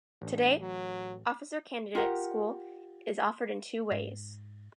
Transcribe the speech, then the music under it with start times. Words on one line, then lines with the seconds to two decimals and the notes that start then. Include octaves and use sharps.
Today, Officer Candidate school is offered in two ways.
0.22 A1 D4
0.61 F#3
1.95 F4 G4 A#4 F#5
3.92 G#2